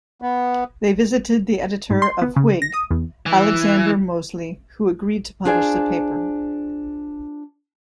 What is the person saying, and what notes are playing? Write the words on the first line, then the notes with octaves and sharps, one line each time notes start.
They visited the editor of Whig, Alexander Mosely, who agreed to publish the paper.
B3
G#2
C6
B3
C#3
A#6
D#6
E2
E3
D4 F4 G#4 C5 D5